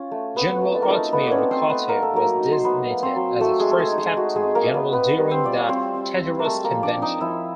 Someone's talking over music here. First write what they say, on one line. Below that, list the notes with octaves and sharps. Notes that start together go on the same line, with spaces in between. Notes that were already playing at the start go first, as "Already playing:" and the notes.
General Artemio Ricarte was designated as its first Captain General during the Tejeros Convention.
Already playing: C#4 F4
A3
B3 C4 B4
A3
A4
A#4
A3 D#4 A4
A3 B3 B4
C#4 C#5 D5
C4
C4 C5
A3
B3 B4
A#3 A#4
A4
F#3 A#3 A#4
D#4
C5
F#3 B3 B4
A#3
C4 C5
F#3
A3 C4 A4
G#3 G#4
A3 A4
G#3 G#4
D#4
G#3 G#4
A3 F#4
G#3 G#4
C4
A#3 A#4
A3
B3 B4
B3 C4 B4
G3
C4 C5
F4 D5
C#5
G3 C4 C5
C4
G3
A#4
G#3 A3 A4
A#3 A#4
F3
D4 D5
C4
D#4 D#5
F3 E4 E5